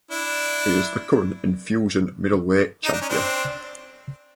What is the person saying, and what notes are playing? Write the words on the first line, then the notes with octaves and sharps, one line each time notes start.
He is the current Enfusion Middleweight Champion.
D4 E4
D#4
D4
C#4
C4 D4